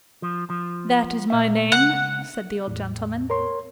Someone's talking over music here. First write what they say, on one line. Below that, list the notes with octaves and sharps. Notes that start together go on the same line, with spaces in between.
'That is my name,' said the old gentleman.
F3
F3
A#2 E5
C#2 F#5
E2 A2
A#4 C#5 C6